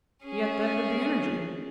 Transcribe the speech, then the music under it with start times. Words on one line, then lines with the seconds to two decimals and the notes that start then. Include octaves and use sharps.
Yet that would be energy.'
0.24 C#4 G#4